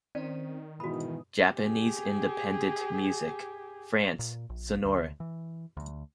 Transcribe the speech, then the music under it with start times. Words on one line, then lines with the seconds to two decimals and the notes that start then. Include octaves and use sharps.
"Japanese Independent Music", France: Sonore.
0.15 D#3 C4 C#4 C5 D5
0.80 G#2 B2 E3 F#4 B5 D#6
1.55 G4 G#4
4.19 A#2
4.50 A#1
4.85 D2
5.20 E3
5.77 D2